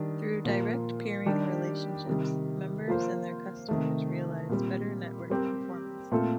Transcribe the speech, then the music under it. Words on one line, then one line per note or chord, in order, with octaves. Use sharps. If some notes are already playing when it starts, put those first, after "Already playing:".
Through direct peering relationships, members and their customers realize better network performance.
Already playing: D#3 G3 D4
A#2 F3 A#3 F4
D#3 G3 D4 G4
C3 D#3 G3
F3 A#3 F4 C5
C3 D#3 A3
A#2 G3 C4
G3 C4 G4 A#4
A#2 A3 C4 F4 A4